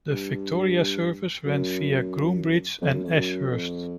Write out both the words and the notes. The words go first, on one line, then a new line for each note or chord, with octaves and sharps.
The Victoria services ran via Groombridge and Ashurst.
G2
F#2
F2
F#2
F2
F#2
F2